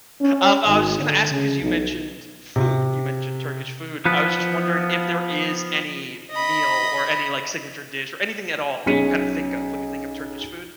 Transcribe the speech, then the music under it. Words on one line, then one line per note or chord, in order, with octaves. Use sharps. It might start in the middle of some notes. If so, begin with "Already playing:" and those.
Um, I was just gonna ask you, 'cause you mentioned food, you mentioned Turkish food, I was just wondering if there is any meal, or any, like, signature dish, or anything at all that you kinda think of when you think of Turkish food?
C#4
G#1
D3
C#3
B1
C3
F3 B3 B4
D#5 B5
B1 C#4 G#4 B6 C#7 D#7